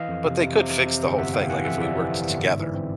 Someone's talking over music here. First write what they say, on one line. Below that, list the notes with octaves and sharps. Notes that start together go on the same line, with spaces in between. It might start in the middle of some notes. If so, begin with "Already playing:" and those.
But, they could fix the whole thing, like if we worked together,
Already playing: E3 D#5 F5
F2
C3
C3
C3
C3
C3
G1
G1 E5 F#5
C3 F5 G5
E3 F#5 G#5
F2 E5 F#5
C3 D5 E5
E3
C3
G1
G#2
E3
C4